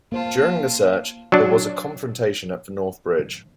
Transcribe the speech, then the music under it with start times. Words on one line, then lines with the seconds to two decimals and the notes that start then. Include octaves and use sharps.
During the search, there was a confrontation at the North Bridge.
0.12 A#3 F4 C5 F5 A5
1.32 F#3 D4